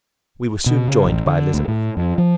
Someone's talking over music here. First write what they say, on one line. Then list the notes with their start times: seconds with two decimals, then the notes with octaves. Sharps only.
We were soon joined by Elizabeth.
0.66 B2
0.87 C#3
1.05 A1
1.26 D3
1.54 D2
1.68 A2
1.97 F2
2.18 F3